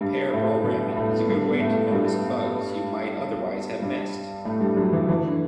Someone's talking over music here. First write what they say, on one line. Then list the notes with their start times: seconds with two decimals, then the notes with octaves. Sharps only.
Pair programming is a good way to notice bugs you might otherwise have missed.
0.01 G2 G3
0.32 A2 A3
0.64 B2 B3
0.95 A2 A3
1.28 G2 G3
1.50 B3
1.59 A2 A3
1.91 G2 G3
3.82 G2 G3
4.45 A2 A3
4.61 G2 G3
4.77 F#2 F#3
4.93 E3
5.09 E3
5.25 D3